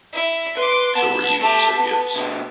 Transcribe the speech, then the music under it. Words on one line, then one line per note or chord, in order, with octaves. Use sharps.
"So are you," said Gibbs.
E4
B4 C6 D6
B3 A5
A3 G4
B3
B2 D3